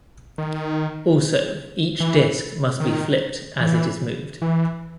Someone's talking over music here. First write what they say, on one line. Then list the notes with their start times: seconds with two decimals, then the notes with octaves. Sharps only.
Also each disk must be flipped as it is moved.
0.38 D#3
2.00 E3
2.80 D#3
3.61 E3
4.42 E3